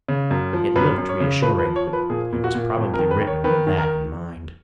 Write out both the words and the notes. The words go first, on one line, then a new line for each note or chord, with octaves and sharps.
It looked reassuring--and was probably written with that in mind.
C#3
F#2
F3
F#2 B4
F#2
C#5
C#3
F3 B4
B4
F3
C#5
F3
B4
A#2 G#4
A#2
F#4
A#2
F2
A#4
D#3
B4
D#3
C#5
D#3 B4
D#3
A#4